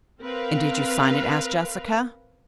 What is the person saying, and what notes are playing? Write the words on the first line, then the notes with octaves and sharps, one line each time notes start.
"And did you sign it?" asked Jessica.
C4 A#4 B4 F5